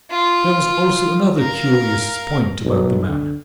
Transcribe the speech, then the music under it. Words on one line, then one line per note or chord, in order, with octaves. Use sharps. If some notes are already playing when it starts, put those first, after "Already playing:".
There was also another curious point about the man.
F4
A#4 F5
B1
D3